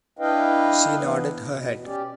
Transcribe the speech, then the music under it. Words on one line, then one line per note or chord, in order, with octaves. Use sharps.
She nodded her head.
D4 E4 B4 D#5 F5 G5
E3 B3
B2
C#4 G4 D5